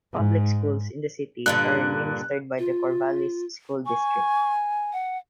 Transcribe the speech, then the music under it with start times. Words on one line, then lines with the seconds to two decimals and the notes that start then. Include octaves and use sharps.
Public schools in the city are administered by the Corvallis School District.
0.14 G#2
1.46 G2 A#2 D3 F#6
2.59 F4
3.86 G#5 C#6
4.93 F#5